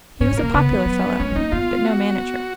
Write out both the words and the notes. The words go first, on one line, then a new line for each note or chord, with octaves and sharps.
He was a popular fellow, but no manager.
G#2 C#4
A#2
A#3
B2
C#3 B3
F3
F#3
G#3 C#4
G#3
A#3 D#4
B3 F4
F#4